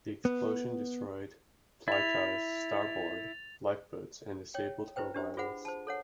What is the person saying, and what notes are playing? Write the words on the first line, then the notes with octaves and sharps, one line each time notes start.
The explosion destroyed "Blitar"s starboard lifeboats and disabled her wireless.
B3
E4 A6 F7
C#5 G5
E4 B4 C5 G5
D4 G4 C5
F4 G#4 C5 F#5 B5
C5 A5
A4 C#5 F#5